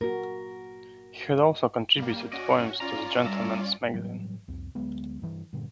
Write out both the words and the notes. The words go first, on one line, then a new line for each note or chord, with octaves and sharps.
He had also contributed poems to the "Gentleman's Magazine".
A#3 F#4 A#4
G3 A#3
C#4 F#4 D5 D#5
C#4 F4 D5 A#5
G3 A4 E5 A#5
A2 E3 F#3 G3
C2 F2
D2 F#3 G#3 B3
G2 E3
G2 A#2 D3